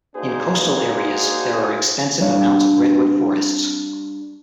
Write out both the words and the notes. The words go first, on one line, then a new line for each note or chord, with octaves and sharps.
In coastal areas there are extensive amounts of redwood forests.
A#3 D4 D#4 F#4 G#4 C5
G3 D4 C#5 F5